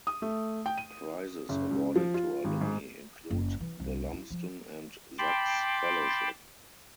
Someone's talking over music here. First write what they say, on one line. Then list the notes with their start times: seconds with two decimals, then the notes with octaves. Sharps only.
Prizes awarded to alumni include the Lumsden and Sachs Fellowship.
0.07 D#6
0.22 A3
0.66 G5
0.78 D#7
1.49 F#1
1.71 C#2
1.96 F3
2.14 F4
2.44 G#1
2.61 G#2
3.31 F#1
3.60 E3
3.80 C2
4.13 E4
4.31 F3
5.18 G5 A5 B5 C6 D6